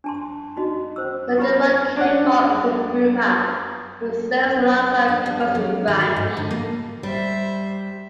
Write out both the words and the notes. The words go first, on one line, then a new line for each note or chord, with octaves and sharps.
Sergeant Rod Kimball is a Boomer who serves alongside Buzz in Branch.
D4 A5 C6
D#4 F#4 D#5
C#4 C5 E6
E4 G4 B4 C#5 B5
D4 F#5
D4
G3
C#4
F#3
D#3
F#4
G#2
D3
A#3
G3 C5 E5